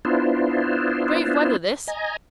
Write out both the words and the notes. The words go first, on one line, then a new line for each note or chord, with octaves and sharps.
Brave weather this!
B3 D4 E4 F4 C5
D#5 G#5 A#5